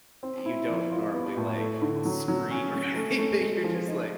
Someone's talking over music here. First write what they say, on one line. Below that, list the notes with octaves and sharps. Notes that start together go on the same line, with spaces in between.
you don't normally, like, scream or anything. You're just like
C4
E4
F3
F4
B3
A2
A3
D3
F#3
F#3
C#4
C#4
A3
A3
G#3
F3
D#4